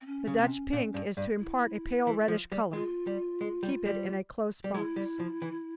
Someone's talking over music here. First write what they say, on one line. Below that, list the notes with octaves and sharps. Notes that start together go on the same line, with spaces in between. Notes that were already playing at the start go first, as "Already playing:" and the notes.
The Dutch pink is to impart a pale reddish color. Keep it in a close box.
C4
C#4
C#3
C3
A#2
G2
G2
E4
E3
F3
G3
G#3 F4
G3
G#3
G3
G3
G3
G#3 E4
G3
F3
E3